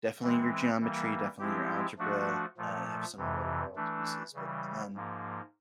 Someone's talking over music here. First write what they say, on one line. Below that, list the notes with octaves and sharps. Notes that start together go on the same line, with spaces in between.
Definitely your geometry, definitely your algebra, uh, have some real world uses, but even then,
E3 G#3 C4
E3 G3 A#3
F3 G#3 C4 E4 G4
F3 A3 D4 F#4
A#2 F3 A3
F2 C3 E3
E3 A3 D4
C#3 E3 G3
G#2 F3 A#3